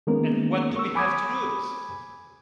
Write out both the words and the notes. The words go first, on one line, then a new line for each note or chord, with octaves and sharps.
And what do we have to lose?
D#3 G#3 A#3 B3 C#4 A#4
C#6 E6
G#5 B5 D6 D#6 G#6